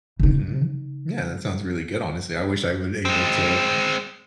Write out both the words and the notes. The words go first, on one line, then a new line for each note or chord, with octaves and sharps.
Mhm, yeah that sounds really good, honestly. I wish I was able to
C#3 D#4
G#3 C4